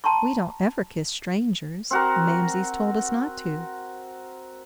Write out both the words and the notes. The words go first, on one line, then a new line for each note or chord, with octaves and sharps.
"We don't ever kiss strangers--mamsie's told us not to."
G5 A5 A#5 C6 C#6
C4 F#4 A#4